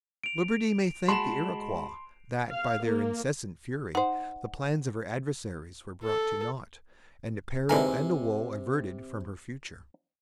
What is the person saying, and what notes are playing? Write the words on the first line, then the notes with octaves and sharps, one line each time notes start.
Liberty may thank the Iroquois, that, by their insensate fury, the plans of her adversary were brought to nought, and a peril and a woe averted from her future.
D7 F7
G#3 F#4 A5 B5 C6 E7
F5
A#3
D#4 C5 F#5
A4
G#2 C3 E3 A#4 G#5